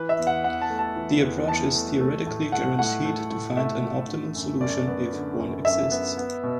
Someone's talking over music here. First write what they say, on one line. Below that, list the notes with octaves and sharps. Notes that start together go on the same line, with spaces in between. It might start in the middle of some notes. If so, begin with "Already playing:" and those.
The approach is theoretically guaranteed to find an optimal solution if one exists.
Already playing: E3 B4
E5
E2
F#5
E2 F#5
A5
A3
A5
E3
E2
E2 A5
A3
A3
A2
A3 F#5
A2 F#5
A3
A2
A3 E5
A2
D3
F#2
F#2 D5
B3
D3
F#2
F#2 E5
B3
B3
B2